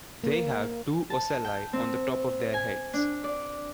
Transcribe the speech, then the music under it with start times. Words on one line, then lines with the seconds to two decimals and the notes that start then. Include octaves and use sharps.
They have two ocelli on the top of their heads.
0.24 A#3
1.10 A5
1.45 G5
1.73 C4
2.54 G#5
2.93 D4
3.24 D5